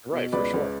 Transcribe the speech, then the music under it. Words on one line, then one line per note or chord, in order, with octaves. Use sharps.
Right, for sure.
B2
C#2 B4 D5
C#2